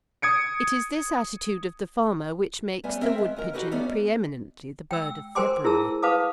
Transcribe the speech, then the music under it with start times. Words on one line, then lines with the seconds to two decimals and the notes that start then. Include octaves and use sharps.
It is this attitude of the farmer which makes the woodpigeon pre-eminently the bird of February.
0.22 D#6 G#6 C#7 D7
2.84 G3 A3 B3 C#4 C5 G#5
3.01 C4 A#4 C5 E5 F5
3.18 G#3
3.36 D#2 A#2 A#4
3.53 D#4 F#4 G4 A4 B4
3.71 G3 A3 B3 C#4 D#4 D5
4.91 G5 E6
5.35 A#4 C5 G5 G#5 C6 D6
5.64 E4 G#4 A#4 A5 E6
6.02 B4 F5 A5 D6 D#6